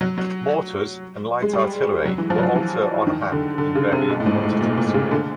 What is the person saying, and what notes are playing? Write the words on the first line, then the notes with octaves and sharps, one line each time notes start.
Mortars and light artillery were also on hand in varying quantities.
F#3
F#3
G#3
G3
F#3
E3
F3
F#3
F3
E3
D#3
D3
D3
C#3
C3
B2
A2
G#2
A2
A#2
A#2
C#3
D3